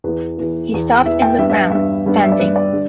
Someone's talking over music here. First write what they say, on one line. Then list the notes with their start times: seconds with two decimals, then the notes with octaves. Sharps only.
He stopped, and looked round, panting.
0.04 E2 E3 B3 B4
0.38 E2 E3 B3
0.72 E2 E3 B3
1.05 E2 E3 B3 E5
1.22 G5
1.38 G2 G3 B3 E5
1.50 E5
1.72 G2 G3 B3 E5
2.06 G2 G3 B3
2.23 E5
2.32 D5
2.39 G2 G3 B3 B4
2.56 D5
2.73 D3 G3